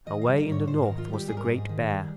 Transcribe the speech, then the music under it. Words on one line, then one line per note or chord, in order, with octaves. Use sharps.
Away in the north was the Great Bear.
D#3 D#5
F5
G3
A#4
G#2
C#5
G#2 C5
C5
A#4
D#3
F4
G3
G4
G#2 G#4
A#4
G#2 G#4
D#3
G3